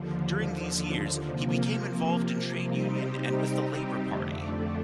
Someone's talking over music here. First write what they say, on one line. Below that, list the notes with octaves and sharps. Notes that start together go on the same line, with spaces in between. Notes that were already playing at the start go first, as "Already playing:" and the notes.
During these years he became involved in trade union and with the Labour Party.
Already playing: D#2 D3 F3
C3 F3 A#3
C3 G3 C4 D#4 G4
F2 D3 A3 D4